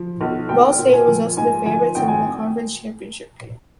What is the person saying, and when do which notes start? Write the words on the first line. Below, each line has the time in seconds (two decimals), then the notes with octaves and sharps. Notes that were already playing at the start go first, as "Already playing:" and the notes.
Ball State was also the favorite to win the conference championship game.
Already playing: F3
0.21 B1
0.49 B1 G5
0.78 A#2
0.93 G#5
1.08 F3
1.37 G#2 G#5
1.66 F3 G#5
1.95 G#1 G5
2.08 G#5